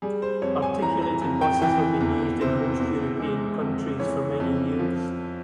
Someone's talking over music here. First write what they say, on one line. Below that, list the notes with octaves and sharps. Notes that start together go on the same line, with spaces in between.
Articulated buses have been used in most European countries for many years.
G3 G#4
C5
F2 C#5
G#5
E3 A#5
A#5
F2
G5
E3 G5
E2
C3 C5
E2
G#3
F2
E3 C#5
F2
F3